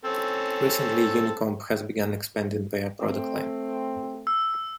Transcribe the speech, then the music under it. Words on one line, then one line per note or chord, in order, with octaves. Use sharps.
Recently, Unicomp has begun expanding their product line.
C4 C#4 A4
A3 C4
E6